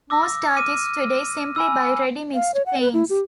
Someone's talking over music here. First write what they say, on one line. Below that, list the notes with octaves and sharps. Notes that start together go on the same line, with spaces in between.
Most artists today simply buy ready-mixed paints.
D6 E6 A#6
D6 F6 D#7
G#5 B5 E6
F5
C#5
F#5
B4
E4
G4